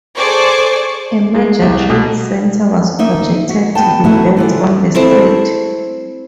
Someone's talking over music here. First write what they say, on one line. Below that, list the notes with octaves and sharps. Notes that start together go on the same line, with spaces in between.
A major trade center was projected to be built on the street.
G#4 A4 C5 D5 C#6 D6
G#3
C2
B2
A#3 D#4 E5
F#4
B3 G5 A5
F#3 A3 B3 E4 F#4 G4
D3 E3 F3
A3 C4 E4